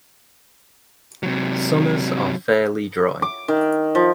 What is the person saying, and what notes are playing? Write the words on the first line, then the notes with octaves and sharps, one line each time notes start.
Summers are fairly dry.
C3 F#3
D6
D#3
F3